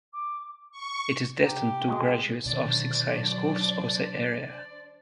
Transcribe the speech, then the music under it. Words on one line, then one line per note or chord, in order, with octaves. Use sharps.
It is destined to graduates of six high schools of the area.
D6
C#6
C3 G4 A#5
G#3 F#4
B2 D3 D#3 F#3 D4 C5 D5